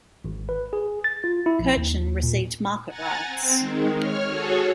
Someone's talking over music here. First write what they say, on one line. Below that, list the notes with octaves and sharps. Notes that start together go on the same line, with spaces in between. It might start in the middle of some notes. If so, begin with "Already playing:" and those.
Kirchhain received market-rights.
G#1
B4
G#4
A6
F4
E4
A#1
D#2
A#2
F#5 G#5 A#5 A6
C4
D#3 G#3
C#5 F6
F#4 G#4 A4 C#5